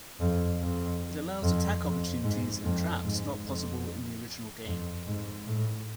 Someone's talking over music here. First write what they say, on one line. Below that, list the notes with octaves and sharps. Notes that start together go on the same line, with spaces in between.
It allows attack opportunities and traps not possible in the original game.
F2
F2
F2
F2
G#2
F2
G#2
F2
F2
G#2
A2